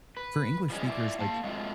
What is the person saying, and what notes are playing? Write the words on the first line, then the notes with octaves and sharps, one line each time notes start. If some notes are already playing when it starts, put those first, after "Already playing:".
for English speakers, like,
B4
F3 G3 G#3 C#4
E4 F4 C5 D5
A#3 F5 A5
F#3 G#3 A3 C4 F4